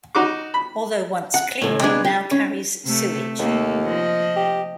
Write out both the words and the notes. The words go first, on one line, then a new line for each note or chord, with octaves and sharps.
Although once clean, it now carries sewage.
D#4 F#4 D6
B5
F#5
C#2 A2
C3 G#3 B3 D4 G#4
G4
C#4
C3 A3
D#2 A3 A#3
F3 D#5
G4